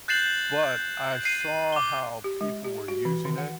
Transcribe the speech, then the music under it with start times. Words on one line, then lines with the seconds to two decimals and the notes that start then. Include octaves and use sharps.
but I saw how people were using it.
0.08 F#6 G6 A6 C7 E7 F#7
0.64 G6
1.25 C7 D#7
1.72 D6 G7
2.24 G4
2.41 G#3
2.64 G4
2.88 F#4
3.05 E3
3.25 D#3
3.38 F#5